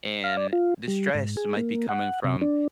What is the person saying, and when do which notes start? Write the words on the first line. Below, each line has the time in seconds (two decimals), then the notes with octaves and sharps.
and the stress might be coming from,
0.24 F5
0.37 D5
0.53 F4
0.88 G3
1.15 G#2
1.37 G#4
1.57 A#3
1.89 F#5
2.24 C3
2.41 D4